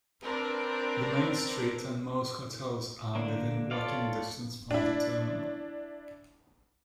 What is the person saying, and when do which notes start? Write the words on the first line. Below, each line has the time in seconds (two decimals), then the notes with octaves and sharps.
The main street and most hotels are within walking distance from the terminal.
0.22 C4 D4 A#4 B4
3.15 D3 A#3 D4
3.71 F4 A4 C#5 D5 F5
4.71 D4 E4